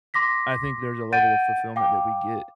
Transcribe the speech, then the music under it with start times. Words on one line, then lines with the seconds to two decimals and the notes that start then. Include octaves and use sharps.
I think there's a level of fulfillment that we get
0.14 C6 D6 A#6 B6
1.12 F#5 G6 A6 D7 D#7
1.76 F5 G5 D6